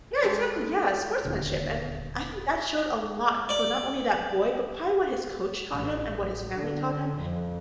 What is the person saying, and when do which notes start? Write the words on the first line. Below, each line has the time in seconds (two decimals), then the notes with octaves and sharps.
Yeah, exactly, yeah, sportsmanship, and I think that showed a lot for not only that boy, but probably what his coach taught him and what his family taught him,
0.23 G#3 G4 A4
1.25 D#1 D2 A#2 D3
3.49 D5
5.72 A1
6.54 D3
7.14 F2